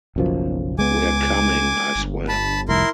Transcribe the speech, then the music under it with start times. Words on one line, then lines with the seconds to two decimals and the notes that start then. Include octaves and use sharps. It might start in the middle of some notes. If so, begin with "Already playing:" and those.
We're coming, I swear.
0.16 F#1 B1 F#2 F3
0.79 C#2 G#3 B3 G#5 D6
1.95 G1
2.28 A5 B5
2.69 F1 C2 E4 A#4 C6